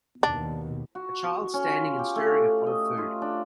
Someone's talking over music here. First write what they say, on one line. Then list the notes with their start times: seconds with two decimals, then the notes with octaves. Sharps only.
A child standing and stirring a pot of food.
0.23 D#2 B2 D4
0.95 F#4
1.54 C#4
1.66 F4
1.99 G4
2.16 A3
2.66 D#5
2.97 F4
3.22 D4